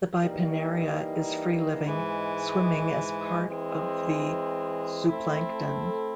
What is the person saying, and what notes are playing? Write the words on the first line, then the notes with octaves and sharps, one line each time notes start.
The bipinnaria is free-living, swimming as part of the zooplankton.
E3 G3 A#3 D#4
G#2 E3 G#3
E3 G#3 C4
A3 C4 E4 A4